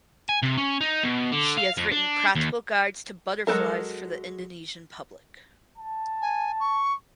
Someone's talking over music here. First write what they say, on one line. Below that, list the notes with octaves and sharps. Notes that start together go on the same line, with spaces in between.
She has written practical guides to butterflies for the Indonesian public.
G#5
C3
C#4
D#4
B2
D3
F5
F2
D4
D#2
F#3 G#3 C4 A4 A#4
A5
G#5
C#6